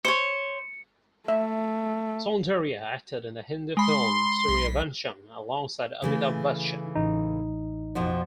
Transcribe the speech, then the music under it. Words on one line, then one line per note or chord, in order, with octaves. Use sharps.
Soundarya acted in the Hindi film, "Sooryavansham", alongside Amitabh Bachchan.
C5 C#5 C#7
A3 E5
G#3 B5 C6
B1
C#3 E3 A3
A1 D#4
F2 B2 F3